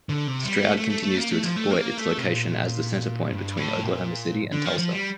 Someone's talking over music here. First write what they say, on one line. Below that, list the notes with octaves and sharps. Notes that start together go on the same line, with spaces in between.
Stroud continues to exploit its location as the centerpoint between Oklahoma City and Tulsa.
D3
C3
G3
A3
A3
A3
A3
A#3
A3
F3
A3
A#3
A3
C3
A#2
G2
A2
A#2
D3
F3
F3
G3